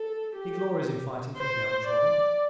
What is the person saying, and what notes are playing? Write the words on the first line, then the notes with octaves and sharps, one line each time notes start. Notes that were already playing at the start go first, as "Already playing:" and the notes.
He glories in fighting for the downtrodden.
Already playing: A4
G4
C5
D5